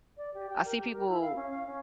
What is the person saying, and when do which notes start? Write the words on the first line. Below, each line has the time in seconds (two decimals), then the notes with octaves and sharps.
I see people
0.17 D5
0.34 G4
0.49 G5
0.65 A#4
0.77 G4
0.92 A#4
1.08 E4
1.21 F5
1.35 C#4
1.50 F5
1.67 C#4